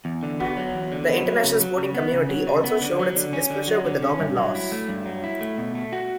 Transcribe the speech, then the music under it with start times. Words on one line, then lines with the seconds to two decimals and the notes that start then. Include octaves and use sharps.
The international sporting community also showed its displeasure with the government's laws.
0.05 E2
0.23 D3
0.40 B3
0.57 F#3
0.74 E2
0.92 D3
1.09 B3
1.26 F#3
1.43 C#3
1.60 F#3
1.78 C#3
1.95 B3
2.12 C#3
2.29 F#3
2.47 C#3
2.64 B3
2.81 D3
2.99 F#3
3.16 D3
3.33 C#4
3.50 D3
3.68 F#3
3.85 D3
4.02 C#4
4.20 G2
4.37 F#3
4.55 E4
4.72 A3
4.88 G2
5.06 F#3
5.24 E4
5.41 A3
5.58 B2
5.75 A3
5.93 F#4